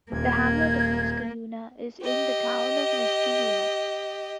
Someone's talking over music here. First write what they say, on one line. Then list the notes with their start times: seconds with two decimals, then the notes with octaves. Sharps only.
The hamlet of Niskayuna is in the town of Niskayuna.
0.12 D#1 A#3 G#6
2.03 G4 D#5